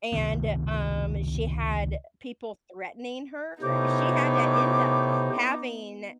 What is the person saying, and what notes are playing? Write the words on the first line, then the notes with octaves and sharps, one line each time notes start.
And, um, she had people threatening her. She had to end up having
C#2 C3 D#3 B3
A2 C3 B3 D#4 C5 D6